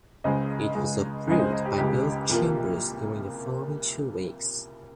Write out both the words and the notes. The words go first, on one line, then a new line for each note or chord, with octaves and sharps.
It was approved by both chambers during the following two weeks.
C#2 C#3 G#3 C5 D#5
C#2 C#3 G#3
C#2 C#3 G#3
C5 D#5
C5 D#5
G4
C#2 C#3 G#3 G4
C2 A#2 F3 A#3